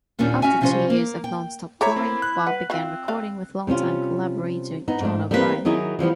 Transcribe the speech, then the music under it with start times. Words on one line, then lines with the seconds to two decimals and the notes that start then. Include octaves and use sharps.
After two years of nonstop touring, Bob began recording with longtime collaborator John O'Brien.
0.19 D#2 A#2 D#3 G3 C#4 D4
0.42 C#4 F#4 E5 G#5
0.61 C3 F3 G3 C#4 F4 C5
0.90 A#3
1.24 G5
1.81 E4 A4 C5 C#5 E5 A#5 D6
1.96 A#3 C4
2.22 F#6
2.47 B4 F#5
2.70 C4 F4 E5 F5
3.08 B4 D5 F5
3.67 C3 G3 C#4 F4
4.88 B3 D#4
5.00 G#2 A3 D4
5.31 G3 A3 A#3 C4 F#4 B4
5.65 D#3 F#3 D#4 E4 G#4
5.99 E3 F3 G3 B3